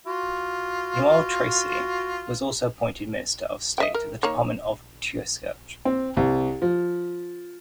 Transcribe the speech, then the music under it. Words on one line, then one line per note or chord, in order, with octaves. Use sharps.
Noel Treacy was also appointed Minister of State at the Department of the Taoiseach.
F4 F#4
D#5 E5 G5
A#4
D#3 A#3 C#5
C4
C2
F3